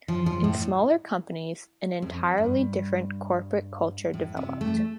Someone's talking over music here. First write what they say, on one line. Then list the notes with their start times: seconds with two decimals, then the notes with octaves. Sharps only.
In smaller companies, an entirely different corporate culture developed.
0.08 F3
0.26 F3
0.44 A2
2.02 F2
2.38 G2
4.14 A2
4.37 C3
4.61 A3